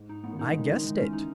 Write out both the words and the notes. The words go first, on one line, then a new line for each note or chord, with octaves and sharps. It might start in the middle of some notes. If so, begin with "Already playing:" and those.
"I guessed it."
Already playing: G#2
D#4
A2 B3
D#3
C#3 D#4
D#3 G#3
D#3 D#4
E3 G#3
C#4
D#4